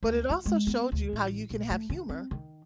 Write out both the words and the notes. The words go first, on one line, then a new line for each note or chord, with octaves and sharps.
but it also showed you how you can have humor
D2
F4
G#3
B3
D2
A1
A#1
A3
D#3
C4
D#3